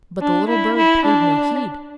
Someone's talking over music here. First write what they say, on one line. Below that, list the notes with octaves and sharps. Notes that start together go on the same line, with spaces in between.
But the little bird paid no heed.
D4
E4
E4
D4